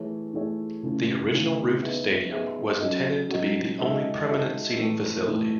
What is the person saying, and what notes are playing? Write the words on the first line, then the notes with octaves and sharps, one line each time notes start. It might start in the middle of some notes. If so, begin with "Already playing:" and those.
The original roofed stadium was intended to be the only permanent seating facility.
Already playing: E3 A3 E4 G#4 C#5
E3 A3 E4 G#4 C#5
C#3 E3 A3 C#4 E4
C#3 E3 A3 C#4 E4
B3 D#4 G#4 B4 E5
B3 D#4 G#4 B4 E5
F#3 C#4 F#4 A4 D#5
F#3 C#4 F#4 A4 D#5
G#3 D#4 F#4 A4 E5
G#3 D#4 F#4 A4 E5
A2 E3 A3
A2 E3 A3